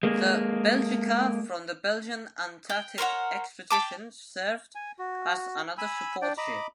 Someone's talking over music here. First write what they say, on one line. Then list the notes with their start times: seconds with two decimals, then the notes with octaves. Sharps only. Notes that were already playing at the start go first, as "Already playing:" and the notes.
The "Belgica" from the Belgian Antarctic Expedition served as another support ship.
0.03 G#3 A#3
2.70 G5
2.98 A#4 C5 C#5 F#5
3.70 G5 A5 D6
4.75 G#5
4.99 F#4
5.78 G#5 B5 E6
6.22 D4 D5 G5
6.38 D#5 A#5 B5 D6